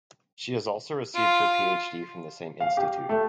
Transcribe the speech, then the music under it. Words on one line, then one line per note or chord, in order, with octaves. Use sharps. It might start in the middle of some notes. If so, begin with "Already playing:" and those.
She has also received her PhD from the same institute.
F4
F5
G4
A3